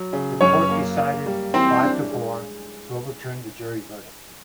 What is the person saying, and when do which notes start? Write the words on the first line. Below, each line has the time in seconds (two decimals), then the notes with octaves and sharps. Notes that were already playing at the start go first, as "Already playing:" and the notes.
The Court decided five-to-four to overturn the jury verdict.
Already playing: F#3
0.13 C#3
0.41 F#2 C#4 C#5
0.70 A#3
0.97 A#3
1.26 G3
1.54 E3 C4 C5
1.82 D4
2.11 G#3